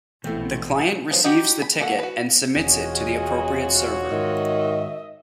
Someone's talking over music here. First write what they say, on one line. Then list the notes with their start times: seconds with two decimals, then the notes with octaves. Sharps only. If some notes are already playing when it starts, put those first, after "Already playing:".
The client receives the ticket and submits it to the appropriate server.
0.24 A#1 B2 E3 A3 C4 E4
1.11 F3 F#3 B3
1.24 D#4 F#4 G4
1.62 B5
1.80 A#3 F#4 A4 F#5
1.99 F#4 B4
2.56 E1 F4 F#4 G#4 C#5 D#5
4.11 G#2 D#3 D#5 E5